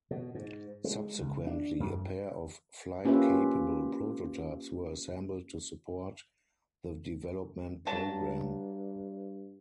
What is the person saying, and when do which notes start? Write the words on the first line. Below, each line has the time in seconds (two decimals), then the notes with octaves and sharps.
Subsequently, a pair of flight-capable prototypes were assembled to support the development program.
0.11 B2
0.35 G#2
0.84 G#3
1.20 C#2
1.47 D4
1.80 F#2
3.05 A#3 C#4 F4 G4 B4 E5
7.87 G2 F#3 A5